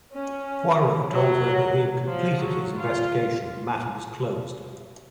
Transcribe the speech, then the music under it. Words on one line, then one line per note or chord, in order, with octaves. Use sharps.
Poirot told her that he had completed his investigation and the matter was closed.
C#4
F#3
F3
F#3
F4